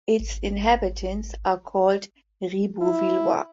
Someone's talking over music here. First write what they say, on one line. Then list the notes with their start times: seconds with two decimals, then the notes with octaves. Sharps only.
Its inhabitants are called "Ribeauvillois".
0.20 G#1
2.81 E4